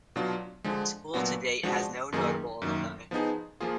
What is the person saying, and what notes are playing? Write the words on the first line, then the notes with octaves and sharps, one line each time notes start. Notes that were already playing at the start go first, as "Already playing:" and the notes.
The school to date has no notable alumni.
B2 F#3 D4 F4
D3 F3 G#3
A#2 F#3 B3 D4 F#4
F3 G#3 D4 F#4
F#2 D#3 A#3 D#4 G#4
F#2 D#3 A#3
F3 B3 D#4 G#4
F3 A#3 F4 G#4